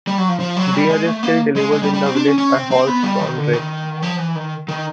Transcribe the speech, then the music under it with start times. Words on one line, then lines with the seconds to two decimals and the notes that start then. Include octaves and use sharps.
Beer is still delivered in the village by horse-drawn dray.
0.07 G3
0.18 F#3
0.29 F3
0.40 F3
0.57 F#3
0.73 G3
0.89 G#3
1.06 A3
1.23 A#3
1.56 G#3
1.72 G#3
1.83 G3
1.94 G3
2.05 C4
2.16 D4
2.27 C#4
2.38 C#4
2.54 C4
2.71 C4
2.87 B3
3.04 G3
3.20 D#3
3.37 D3
3.53 D#3
4.02 F3
4.19 E3
4.36 D#3
4.68 D#3